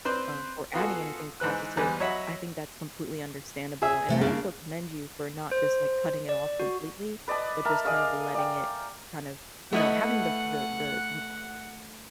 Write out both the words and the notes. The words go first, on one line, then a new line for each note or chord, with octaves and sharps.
um, or adding anything positive, I think that's completely understandable, and I also commend you for not just, like, cutting it off completely, but just kind of letting it, kind of, you know having the the kn the
C4 B4 C5 D5
B3 F4 F#4 G#4 A4
G#2 E3 B4 F#6
E2 G#2 G3 B4 G#5
F#3 C#5 D#5 E5 F#5 B5
G#4 E5
C3 A3 G5
C#3 A#3 D4
C5
D5
F#4
B4 D5 D#5 A5
A#4 E5 A5
G#4 D5 D#5 F5
D5 G5
A3 B3 E4 D#5 F#5